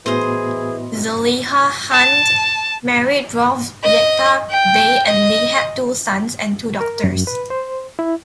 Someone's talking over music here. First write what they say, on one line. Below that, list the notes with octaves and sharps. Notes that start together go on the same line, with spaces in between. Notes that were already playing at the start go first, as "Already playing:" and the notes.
Zeliha Han married Rauf Yekta Bey and they had two sons and two daughters.
A2 E3 B3 F#4 G#4 C5 D#5
A5
D#5
G5
D#5
A#4
F#2
B4
C5
E4